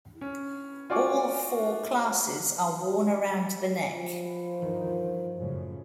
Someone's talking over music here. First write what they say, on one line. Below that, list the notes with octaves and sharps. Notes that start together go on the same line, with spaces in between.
All four classes are worn around the neck.
C#4
F4 F#4 D5 G#5 C#6 D6
F3
G2 D#3 E3
F#2 A2 C#3